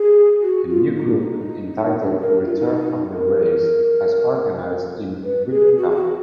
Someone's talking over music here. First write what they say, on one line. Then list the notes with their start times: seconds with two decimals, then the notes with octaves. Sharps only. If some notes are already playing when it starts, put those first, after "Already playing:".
A new group, entitled Return of the Rails, has organized in Bridgton.
Already playing: G#4
0.42 F#4
0.69 F4
0.96 D#4
1.07 D4
1.18 D#4
2.03 D4
2.21 A#4
2.45 F4
2.57 D#4
3.10 A#4
5.24 B4
5.51 G#4
5.78 F#4
5.90 G#4
5.96 F#4